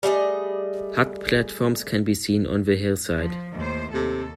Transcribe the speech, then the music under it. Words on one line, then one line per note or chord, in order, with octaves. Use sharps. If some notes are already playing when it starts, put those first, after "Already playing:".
Hut platforms can be seen on the hillside.
G3 A3 G#4 D#5
F3
D#2 A2 C5
D#2 C3 A4